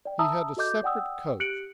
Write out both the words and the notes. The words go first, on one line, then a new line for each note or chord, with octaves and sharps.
He had a separate coach.
D5 G5
E5 A5 A#5 D#6 E6
F#4 A4 D#5 D6 G6
D5 F#5 G5 D#6 E6
G4 F#6 C#7 D7 F#7